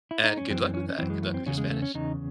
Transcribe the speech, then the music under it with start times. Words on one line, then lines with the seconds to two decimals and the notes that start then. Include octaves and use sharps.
And good luck with that. Good luck with your Spanish.
0.11 E4
0.24 D#4
0.37 C#4
0.50 F#2 E3 C4
0.63 C4
0.74 C#4
0.89 C#4
0.98 F#2 E3 C4
1.10 G#3
1.23 A3
1.34 C4
1.46 E2 C#3 C#4
1.58 G#3
1.71 A3
1.82 C#4
1.94 E2 C#3 D#4